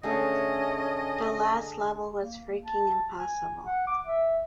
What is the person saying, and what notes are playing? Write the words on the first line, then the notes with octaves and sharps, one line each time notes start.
The last level was freaking impossible!
D3 A3 C#4 G#4 A4 D#5
A#3
A5
G#5
F#5
D6
E5